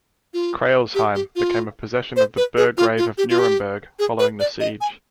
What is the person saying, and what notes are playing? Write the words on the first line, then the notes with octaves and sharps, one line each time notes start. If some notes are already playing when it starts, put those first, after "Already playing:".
Crailsheim became a possession of the Burgrave of Nuremberg following the siege.
F4
G4
G4
F4
C5
B4
G#4
F4
F4
G4
F4
G4
G#4
B4
D5
D#5
G#5